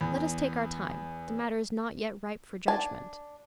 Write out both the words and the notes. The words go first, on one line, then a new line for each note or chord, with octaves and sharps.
Let us take our time, the matter is not yet ripe for judgment.
E2
D4 G#5 A5